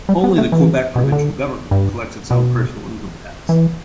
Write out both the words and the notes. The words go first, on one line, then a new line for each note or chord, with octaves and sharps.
Only the Quebec provincial government collects its own personal income tax.
G3
B3
A3
E3
B2
C#3
D3
G2
B2
E3